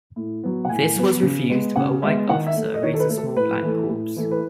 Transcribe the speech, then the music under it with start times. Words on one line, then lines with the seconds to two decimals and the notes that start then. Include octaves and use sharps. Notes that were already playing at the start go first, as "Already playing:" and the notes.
This was refused but a white officer raised a small black corps.
0.16 A2
0.43 F#3 B3
0.65 F#5
0.69 A2 G#5
0.96 F#3 B3
1.22 C#3
1.49 G#3 B3
1.76 C#3 F#5
2.02 G#3 B3 E5
2.29 D#3 F#5
2.47 E5
2.56 A3
2.74 D#5
2.83 D#3 C#5
2.94 A4
3.00 B4
3.09 A3
3.18 A4
3.36 A2 B4
3.62 E3 A3
3.89 A2
4.16 E3 A3
4.31 B4